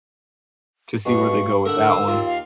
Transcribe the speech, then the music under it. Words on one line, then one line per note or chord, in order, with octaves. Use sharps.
to see where they go with that one.
G2 B2 C#6
D3 A#4 E5 F#5 E6
A#3
D#2 F4 A#4
F5